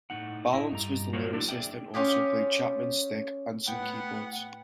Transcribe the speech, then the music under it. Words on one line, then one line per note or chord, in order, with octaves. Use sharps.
Balance was the lyricist and also played Chapman Stick and some keyboards.
A2 A3 A#3 D#4 F#5
E4 D#5 E5
G2 G3 A#5
F#3 A#3 F#4 A#4 C5 C#5
D4 E4 A4
G#4 D5 E5 G5
C#4 F4 G4 G#4
A2 B3 F#5 G5